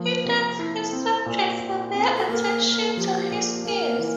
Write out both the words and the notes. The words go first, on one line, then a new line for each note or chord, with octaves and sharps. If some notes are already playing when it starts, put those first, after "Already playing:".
He thanks his subjects for their attention to his ease.
Already playing: F3 A#3
C3
E4
C4
A#2
A#2
C4
A4
A#3 A#4
A#3
F3 G4
A#2
A#3 A#4
E3